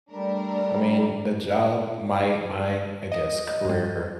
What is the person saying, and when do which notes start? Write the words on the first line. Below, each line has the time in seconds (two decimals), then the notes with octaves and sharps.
I mean, the job my my, I guess, career
0.11 G3 A3 D4 A#4
3.12 D#5
3.65 G2 G3